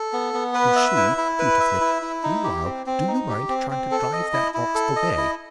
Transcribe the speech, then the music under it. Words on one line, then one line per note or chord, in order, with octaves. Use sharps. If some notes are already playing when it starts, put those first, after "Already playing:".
You ‘shoo’ beautifully. Meanwhile, do you mind trying to drive that ox away?
Already playing: A4
B3
B3
B4
E5
E4
E4
B4
E5
E4
E4
D#4
G4
C4
C4
D#4
G4
C4
C4
A4
D#5
E4
E4
A4
D#5
E4